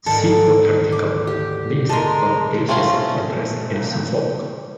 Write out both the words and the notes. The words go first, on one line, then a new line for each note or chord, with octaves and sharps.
See full article, List of places of interest in Suffolk.
D2 G#2 D#3 A4 A#4
D6
G4
G#3 A#4 A5 C6
A3 C4 C#4 F4